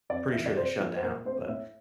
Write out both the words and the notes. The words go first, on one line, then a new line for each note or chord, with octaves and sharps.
pretty sure they shut down, but,
F2 D5
C3 E3 A#3 E5
D5
C3 C5
F3 A#3
C5
A#2 A#4
A3 C4 C5
A2 E5